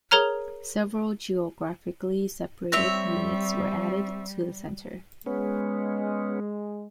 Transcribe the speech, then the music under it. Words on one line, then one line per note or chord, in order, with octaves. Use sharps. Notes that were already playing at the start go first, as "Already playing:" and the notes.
Several geographically-separated units were added to the Center.
G#4 A#4 C#5 A#5 F6
G3 C4 C#5 E5
G#3 B3 C#4